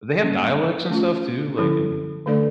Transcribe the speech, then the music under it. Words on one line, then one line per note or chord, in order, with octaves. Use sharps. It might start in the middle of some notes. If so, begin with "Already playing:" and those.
They have dialects and stuff too, like in
G3 A#3 C#4
A3 C#4 F4
D3 F3 C#4 E4 A4
D3 A3 D4 A4 D5